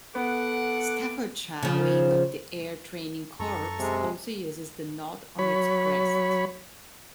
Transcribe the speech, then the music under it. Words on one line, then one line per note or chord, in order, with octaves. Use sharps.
Staffordshire wing of the Air Training Corps also uses the knot on it's crest.
B3 A4 F#5 D6
C#3 F3
F#2 A4 A#5 C#6
C3 G#3
F#3 C#5 B5